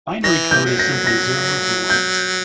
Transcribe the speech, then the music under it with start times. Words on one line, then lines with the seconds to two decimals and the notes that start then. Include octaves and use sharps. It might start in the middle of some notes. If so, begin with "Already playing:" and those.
Binary code is simply zero's and ones.
0.23 E3 A#6
0.51 G6
0.65 F#3
0.79 A#6
1.07 A#6
1.90 G6